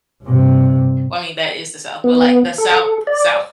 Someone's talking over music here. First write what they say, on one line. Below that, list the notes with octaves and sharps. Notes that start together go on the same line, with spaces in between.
Well, I mean, that is the South, but, like, the South, South.
G2 C3
B3
A4
D5